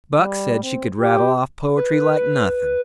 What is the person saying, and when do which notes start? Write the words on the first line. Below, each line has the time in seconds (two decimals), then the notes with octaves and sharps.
Buck said she could rattle off poetry like nothing.
0.20 G3
0.62 C4
1.00 G4
1.77 B4